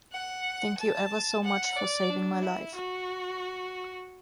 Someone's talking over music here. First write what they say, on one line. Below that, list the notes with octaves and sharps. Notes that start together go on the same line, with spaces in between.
Thank you ever so much for saving my life.
F#5
A5
F#5
D5
D4
E4
F#4